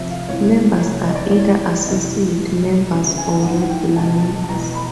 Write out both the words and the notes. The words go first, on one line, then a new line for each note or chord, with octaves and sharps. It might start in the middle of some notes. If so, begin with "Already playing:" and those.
Members are either associate members or regular members.
Already playing: F2 C3 F3 E5
F5
C2 C3 E3 C#5
C2 C3 E3 C#5
D#5
D5
C#5
C2 C3 E3 D5
F2 C3 E3 D#5
C2 B2
D2 C#3 F3 E5
G#5
G#2 E3 F#5
F#5
G5
C#2 B2 A5
A5
E2 B2 A#5
B5